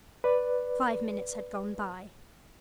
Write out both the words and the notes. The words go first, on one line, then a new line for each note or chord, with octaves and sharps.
Five minutes had gone by.
B4 D5